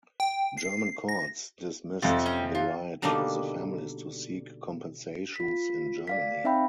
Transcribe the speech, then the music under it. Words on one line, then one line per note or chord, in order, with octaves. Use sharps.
German courts dismissed the right of the families to seek compensations in Germany.
G5
C7
A#6
F2 C3 F4 F#4 A4
C#4 G5
F4
B2 D3 G3 A#3 D4 D#4
F4 B6
D5 F5 B6
C4 D#4 E5 F5 G5 B5